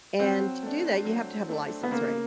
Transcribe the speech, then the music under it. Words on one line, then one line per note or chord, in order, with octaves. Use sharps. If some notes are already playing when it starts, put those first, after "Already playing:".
and to do that, you have to have a license, right?
F#3 C4
A3 D4
F#3
A3 D4
B3
C#3 A#3